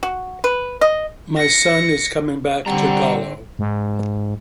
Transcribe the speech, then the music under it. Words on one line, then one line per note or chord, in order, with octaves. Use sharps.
My son is coming back to "Galo".
F#4
B4
D#5
A#6 C#7
D3 G3 C4 F#5 A#5
G#2